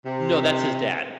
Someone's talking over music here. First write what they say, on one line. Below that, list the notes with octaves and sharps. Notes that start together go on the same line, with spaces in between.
No, that's his dad.
C3